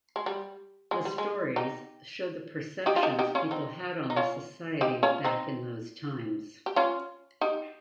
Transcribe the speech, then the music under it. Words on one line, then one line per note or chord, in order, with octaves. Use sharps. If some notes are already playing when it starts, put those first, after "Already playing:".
The stories showed the perceptions people had on the society back in those times.
G#3
G3
G#3
G3
G#3
D#4 G4
D#4 G4
F4
D#4 G4
D#4 G4
C#4 F4
C4 D#4
D#4
C#4 F4
D#4 G4
C#4 F4
C4 D#4
G4
C#4 F4
D#4 G4